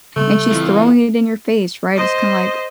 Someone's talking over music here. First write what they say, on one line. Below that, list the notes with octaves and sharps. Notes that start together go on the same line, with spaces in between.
and she's throwing it in your face, right, it's kinda like,
C#3 G3 A3 B3
F2 E3
C5 D#5